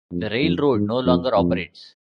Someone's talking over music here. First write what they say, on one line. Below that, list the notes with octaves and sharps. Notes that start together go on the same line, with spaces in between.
The railroad no longer operates.
F2
F2
G#2
F2
F2